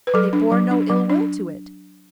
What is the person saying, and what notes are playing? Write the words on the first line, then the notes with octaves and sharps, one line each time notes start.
They bore no ill-will to it.
B4
F#3 A4
D4
F#3
D4
F#3
D4